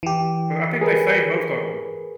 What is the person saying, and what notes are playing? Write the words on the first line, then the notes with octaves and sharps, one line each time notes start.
But I think they saved most of 'em.
E3 G4
G#4 A#4 B4